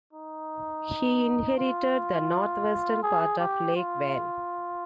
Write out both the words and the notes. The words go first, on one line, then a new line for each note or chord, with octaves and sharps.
He inherited the north-western part of Lake Van.
D#4
F4
G#4
G4
F4